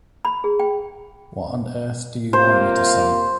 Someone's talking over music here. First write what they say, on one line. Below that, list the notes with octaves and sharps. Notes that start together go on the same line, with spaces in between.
What on earth do you want me to say?
B5
G#4
G5
C3 A#3 F4 C5